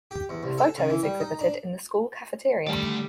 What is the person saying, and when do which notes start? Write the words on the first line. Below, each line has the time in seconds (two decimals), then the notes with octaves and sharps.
A photo is exhibited in the school cafeteria.
0.11 G4
0.29 E2
0.43 C2
0.58 A4
0.78 C#3
0.90 E3
1.03 G3
1.20 D#4
1.41 D4
2.67 D3 D#3 G3 A3 D5